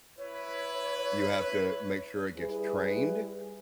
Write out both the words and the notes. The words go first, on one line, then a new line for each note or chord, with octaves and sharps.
you have to make sure it gets trained,
E4 B4 C#5
G3 E4 G#4 B4